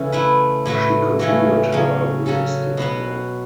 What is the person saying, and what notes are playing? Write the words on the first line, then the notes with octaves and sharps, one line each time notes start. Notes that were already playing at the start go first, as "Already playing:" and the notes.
She continued her resistance work.
Already playing: C#3 E3 A4
A3 E4 B4
A2 A3 F#4 B4
C#3 E3 A3 F#4 A4
C#3 F#3 C#4
C#3 F#3 C#4 A4
B2 B3 F#4 B4